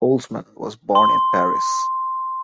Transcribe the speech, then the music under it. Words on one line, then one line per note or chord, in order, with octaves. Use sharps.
Holzman was born in Paris.
C6